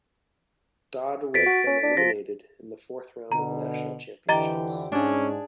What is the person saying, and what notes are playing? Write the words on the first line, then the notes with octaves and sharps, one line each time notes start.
Dod was then eliminated in the fourth round of the National Championships.
F2 A6 B6 D7
F#4
C#4
D4
F3 A#6
B2 D3 A#5
F2 D3 E3 G4 D#5 G5 A#5 A6
G#2 C#4 D4 G#4